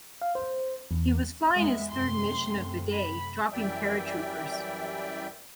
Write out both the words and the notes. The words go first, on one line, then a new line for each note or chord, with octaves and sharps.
He was flying his third mission of the day, dropping paratroopers.
F5
C5
E2
E2 G#3 B3 E5
F#2 C3 A3 C6
B5
F#2 E3 G3 D5 E5 G5